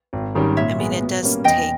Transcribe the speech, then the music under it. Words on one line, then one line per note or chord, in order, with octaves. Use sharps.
I mean, it does take
G#1
G#2 D#3 G3 C#4
A#2 C#5 E5
G#3 B3
B2
G3 A#3 C#4
E2 D#5 G5